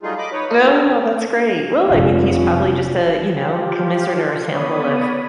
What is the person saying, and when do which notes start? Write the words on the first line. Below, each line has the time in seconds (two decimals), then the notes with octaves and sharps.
No, that's great. Well, I mean, he's probably just a, you know, commiserate or a sample of
0.03 F#3 G3 A3 D#4 F4 G#4
0.18 D#5 B5 D6
0.32 D#4 B4 C#5
0.48 D#4 F4
0.69 G4 A#4
0.88 D3
1.89 F1 C#4 D4 F4
3.35 F3 F4 G4
4.51 B3 C#5 D5 B5 D#6